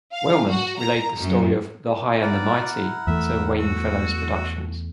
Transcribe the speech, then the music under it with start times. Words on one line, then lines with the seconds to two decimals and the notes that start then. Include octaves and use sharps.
Wellman relayed the story of "The High and the Mighty" to Wayne-Fellows Productions.
0.13 F5
0.49 F#4
0.79 A#5
1.18 F#2
2.22 E4 A#4 D5 F#5
3.07 E2 E3 A3 E5
3.59 F#4 E6